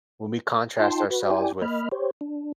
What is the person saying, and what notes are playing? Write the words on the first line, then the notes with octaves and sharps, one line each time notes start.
When we contrast ourselves with
D#4 F4 G5 A5 C6
F#4 B4
E4 G4 D5 G5 G#5
A#3 D#5 B5 F6
G4 C5 C#5
D4